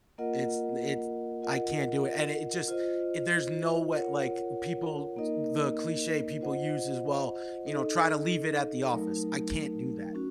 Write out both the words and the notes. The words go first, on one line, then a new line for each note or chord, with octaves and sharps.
It's d it's I can't do it, and it just i there's no way like, people t the cliché people use is, "Well, you know, try to leave it at the office." I can't do that.
A#3 F4 A#4 D#5 F#5
F4 A#4 D#5 F#5
F4 C5 D#5
F4 A#4 C#5 F#5
A#3 D#4 A#4 D#5
F4 C5 D#5 F#5
D#4 A4 D#5
F#3 A3 D#4 A#4
C#4 F#4